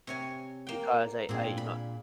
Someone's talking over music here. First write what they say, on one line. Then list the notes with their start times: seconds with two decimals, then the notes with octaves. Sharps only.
because I I you know,
0.07 C3 C#5 G#5
0.67 A#3 G5
1.29 A#2 C4 D4 G#4
1.57 B5